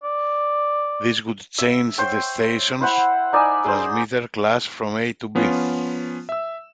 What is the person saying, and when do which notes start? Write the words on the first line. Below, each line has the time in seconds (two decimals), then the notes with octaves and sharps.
This would change the station's transmitter class from A to B.
0.03 D5
1.59 E5
1.98 C5 C#5 G5
2.81 E4 C5 F#5 B5
3.33 D#4 D5 E5 G#5
3.65 G#4 C5
5.35 F3 B3 C#4 F4
6.29 E5 E6